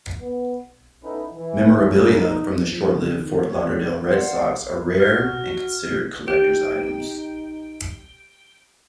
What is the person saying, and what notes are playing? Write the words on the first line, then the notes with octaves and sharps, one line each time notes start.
Memorabilia from the short-lived Fort Lauderdale Red Sox are rare and considered collectors' items.
B3
B3 C#4 D#4 E4 A4 B4
E3
C#4 E4 F#4 A4 A#4
D#4
F3
C#3
D#3
C#5
C5 D5 F5 F#5
F#4 F6
D#4 G4 G5